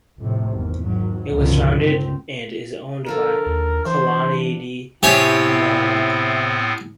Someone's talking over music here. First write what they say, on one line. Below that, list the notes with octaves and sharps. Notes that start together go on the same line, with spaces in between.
It was founded and is owned by Kalanidhi Maran.
F1 A2 C3 A3
G#1 E2
G#1 F#3
C#2 G2 B2 D3 D#3 F3
C#2 C4
D3 F3 A4 A#4
D#2
E3 D4 C5
A2 C3 B3 C4 E4 G4 C#5 G#5